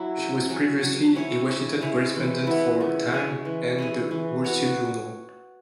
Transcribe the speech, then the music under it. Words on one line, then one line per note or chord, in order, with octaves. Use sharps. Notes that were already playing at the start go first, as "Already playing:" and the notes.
She was previously a Washington correspondent for "Time" and "The Wall Street Journal".
Already playing: F#3 E4
C#3
F#3 C#4
F#3
C#4 E4 C#5
C#3
G#3 E4 C#5
E3
B3 E4
C#3
G#3 C#4
E3
C#4 E4 G#4
E3
B3 F#4 C#5